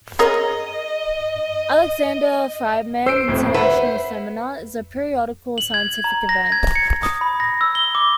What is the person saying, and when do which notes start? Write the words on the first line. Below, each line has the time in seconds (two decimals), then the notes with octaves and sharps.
Alexander Friedmann International Seminar is a periodical scientific event.
0.19 G#4 A#4 C#5 D#5
3.06 C5 E6 C7 D7
3.28 D#1 F2 A2
3.54 B4 E5 F#5
5.58 F#7
5.74 G#6
6.04 A#5
6.29 A#6
6.52 G#6
6.75 C#7
7.03 D#6
7.21 B5
7.40 A#6
7.61 E6
7.75 G7
7.95 D6